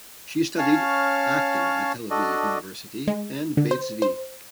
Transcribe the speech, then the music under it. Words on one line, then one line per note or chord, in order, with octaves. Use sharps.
She studied acting at Tel Aviv University and Beit Zvi.
C#4 C#5 F5 A5 F6
D4 F#4 A4 D5 D#5
G#3
D3
C5
C5